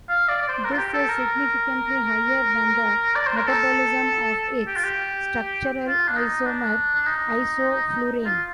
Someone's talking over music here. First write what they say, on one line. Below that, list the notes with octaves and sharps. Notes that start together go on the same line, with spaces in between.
This is significantly higher than the metabolism of its structural isomer isoflurane.
F5
D5
D5
C5
A#4
F4
G4
A4
A#4
D5
C5
A#4
A4
G4
F4
G4
F4
D4
D#4
D4
D4
D#4
F4